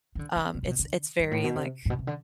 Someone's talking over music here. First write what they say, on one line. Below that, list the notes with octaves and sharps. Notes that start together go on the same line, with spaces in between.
um, it's it's very, like,
E3
D3
D3
D3
C3
B2
D3
G2
A2
B2
C3
A2
B2
C3
D3